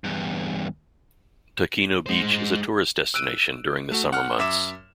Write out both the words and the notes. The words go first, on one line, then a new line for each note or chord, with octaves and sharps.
Takeno beach is a tourist destination during the summer months.
E2 G2
G#3 C5
E6 F#6 D7 D#7
A3 F#4
F#5 F6
F#2 E5 D6 E7